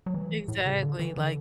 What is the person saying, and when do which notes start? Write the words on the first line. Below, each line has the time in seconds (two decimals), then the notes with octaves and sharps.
Exactly, like
0.06 F#3
0.14 E3
0.48 A2
0.66 C#3
0.83 D3
0.99 E3
1.17 D3